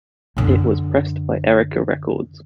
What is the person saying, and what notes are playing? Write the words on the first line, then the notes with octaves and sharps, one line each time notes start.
It was pressed by Erika Records.
F#2 D3